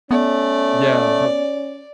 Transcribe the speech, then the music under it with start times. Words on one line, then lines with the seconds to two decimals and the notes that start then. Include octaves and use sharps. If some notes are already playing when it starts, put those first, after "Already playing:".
yeah, but
0.11 A3 B3 C#4 D5